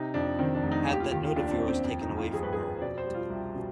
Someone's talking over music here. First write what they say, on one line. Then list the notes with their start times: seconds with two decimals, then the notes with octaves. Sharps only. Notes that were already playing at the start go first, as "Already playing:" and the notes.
Had that note of yours taken away from her.
Already playing: C3 D#4
0.14 F2 D4
0.39 D#3 C4
0.55 D4
0.63 F1
0.72 D#4
0.87 D#2
0.93 G4
1.00 F4
1.11 D#3 G4
1.24 F4
1.36 D#2 D4
1.48 D4
1.52 C4
1.61 D#2
1.68 C4
1.84 F2
2.01 D#4
2.10 F2
2.17 F4
2.33 F2 G#4
2.43 B4
2.53 G#4
2.58 F2
2.77 C5
2.81 B2 D5
2.98 C5
3.06 G3
3.14 F4
3.30 C2
3.55 B2